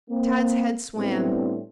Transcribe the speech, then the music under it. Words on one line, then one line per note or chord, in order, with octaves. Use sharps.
Tad's head swam.
A#3 C4
A2 G3 B3 C4 D4 E4